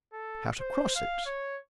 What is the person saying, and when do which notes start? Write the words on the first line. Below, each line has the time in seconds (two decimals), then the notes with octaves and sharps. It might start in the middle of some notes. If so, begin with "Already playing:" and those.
How to cross it?
0.13 A4
0.60 C5
0.95 F5
1.25 C#5